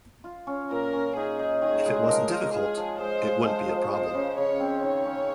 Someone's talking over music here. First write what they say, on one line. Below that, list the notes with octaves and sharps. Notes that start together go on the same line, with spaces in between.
If it wasn't difficult, it wouldn't be a problem.
F4
C#4
A#2 A#4
C#4
D#4 G#4
D#4
D#3 G#4
G#3
F3 A#4
F4
F4 G#4
F3
G#3 C5
G#3
F3 C5
F3
F3 C5
C#3
C#3 C#5
C4
D#3 C#5
C#4